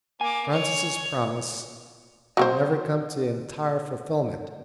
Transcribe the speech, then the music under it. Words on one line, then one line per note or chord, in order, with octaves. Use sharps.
Francis's promise had never come to entire fulfilment.
A#3 G#5 D6
C#5
F#3 C4 C5